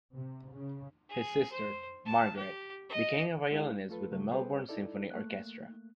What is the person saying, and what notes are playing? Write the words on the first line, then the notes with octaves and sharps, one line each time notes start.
His sister, Margaret, became a violinist with the Melbourne Symphony Orchestra.
C3
C#3
G#4
C5
A5
G4
D#5
G#3 D#4 E4 G#4 F5
A3 F4 A4 B4
C#3 F#3 A3
G3 G#4 A4 B4 C5 G5
D#4 E4 A4 D5
A3 A#3 F#6